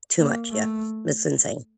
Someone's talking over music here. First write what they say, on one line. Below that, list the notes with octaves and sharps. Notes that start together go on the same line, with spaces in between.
Too much, yeah, that's insane.
A#3
A3